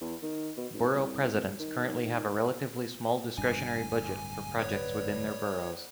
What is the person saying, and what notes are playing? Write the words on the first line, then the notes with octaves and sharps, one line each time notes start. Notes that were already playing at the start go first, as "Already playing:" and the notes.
Borough presidents currently have a relatively small discretionary budget for projects within their boroughs.
E2
D#3
B2
G#1
C2
D#3
D#3
D1 G2 D4 G#5
B3 B4 C#5 D5